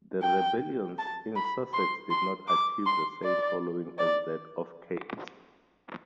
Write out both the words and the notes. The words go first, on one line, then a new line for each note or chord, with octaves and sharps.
The rebellions in Sussex did not achieve the same following as that of Cade's.
G5
A5
B5
C6
C6
D6
C6
D5
D5